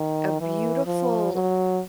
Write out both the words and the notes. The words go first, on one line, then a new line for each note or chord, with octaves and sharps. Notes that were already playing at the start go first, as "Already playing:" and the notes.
a beautiful
Already playing: D#3
E3
F3
F#3